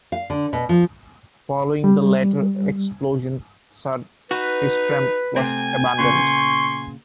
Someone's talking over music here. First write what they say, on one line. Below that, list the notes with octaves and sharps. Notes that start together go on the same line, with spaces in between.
Following the later explosion, "Sir Tristram" was abandoned.
F5
D3
B2
F3
G3
D#4 F#4 B4
C3 A3 C4 G#5
A#2 C#3 B3 C6 C#6